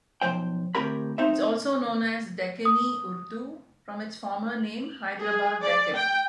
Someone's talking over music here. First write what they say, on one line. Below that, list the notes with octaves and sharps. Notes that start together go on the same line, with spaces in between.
It is also known as "Deccani Urdu" from its former name Hyderabad Deccan.
B1 G2 F3 C5 G5
D2 A2 C4 G4 A#4 B5
C4 D#4 C5 E5
D#6
G#4
D5
G5